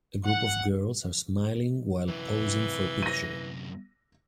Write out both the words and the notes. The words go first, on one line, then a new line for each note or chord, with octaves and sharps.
A group of girls are smiling while posing for a picture.
F#5
F#2 C3 E3
A#6 D#7